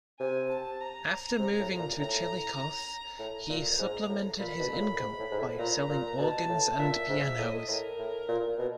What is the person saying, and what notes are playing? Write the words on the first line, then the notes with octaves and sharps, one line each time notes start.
After moving to Chillicothe, he supplemented his income by selling organs and pianos.
C3 G#5
A5
A#5
C3
A2
A#2
A2 A#5
A2 A#5
A#2
G#2
A2
A#2 B5
B2
A#2
A2
G#2
A2
G#2
A2
A#2 A#5
A#2
B2 A5
A2
A#2 E5
G#2
A2 D#5
A2 A#4
A2
A#2
B2